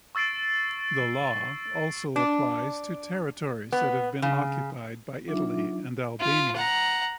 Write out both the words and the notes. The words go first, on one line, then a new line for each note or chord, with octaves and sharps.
The law also applies to territories that have been occupied by Italy and Albania.
C#6 E6 A6 C7 D7
D4
B3
C#3
F#3 D4 D#4 F4 E5 D6
F4
F#5 A#5